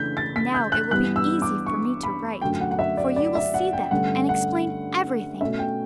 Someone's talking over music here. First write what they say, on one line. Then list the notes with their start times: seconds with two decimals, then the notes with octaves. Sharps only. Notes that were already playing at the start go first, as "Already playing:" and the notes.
Now it will be easy for me to write, for you will see them and explain everything.
Already playing: C#3 E3 A3 D4 G6 B6
0.17 A6
0.36 B6
0.54 G6
0.72 F#6
0.91 G2 E3 G3 B3 F#6
1.16 E6
1.42 D6
1.66 C#6
2.03 B5
2.42 F#2 D3 A3 G5
2.61 F#5
2.71 F#5
2.79 E5
2.97 D5
3.16 D5
3.35 E5
3.54 F#5
3.73 G5
3.91 G2 D3 A3 C#4 F#5
4.29 F#5
5.41 B2 A3 C#4 E5
5.59 G5